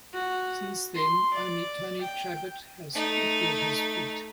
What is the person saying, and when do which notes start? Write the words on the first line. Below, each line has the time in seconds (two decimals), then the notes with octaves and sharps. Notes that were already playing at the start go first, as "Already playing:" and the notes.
Since then, only Tony Trabert has equalled his feat.
0.13 F#4
0.94 C6
1.34 D5
2.01 G5
2.94 A3 D#4